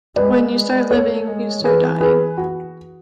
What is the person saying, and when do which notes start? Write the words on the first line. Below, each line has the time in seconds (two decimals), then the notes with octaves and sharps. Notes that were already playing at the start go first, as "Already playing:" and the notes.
When you start living, you start dying.
0.16 G#3 B4 D5
0.53 G#3
0.90 A3 A4 C#5
1.27 G#3
1.64 E3 G#4 B4
2.01 G#4 B4
2.38 F#4